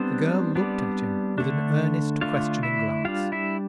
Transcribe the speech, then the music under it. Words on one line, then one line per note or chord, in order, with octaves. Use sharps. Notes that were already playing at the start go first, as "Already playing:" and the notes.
The girl looked at him with an earnest questioning glance.
Already playing: G3 B3 C4 D4 C5
G3 B3 D4
D3 A3 D4
D3 A3 D4 F4 F5
E4 E5
G3 D4 F4 F5
E4 E5